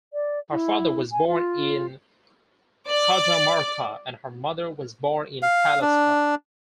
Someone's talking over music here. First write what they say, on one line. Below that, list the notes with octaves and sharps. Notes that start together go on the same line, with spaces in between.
Her father was born in Cajamarca and her mother was born in Pallasca.
D5
E4
G#5
F4
D5
F5
D4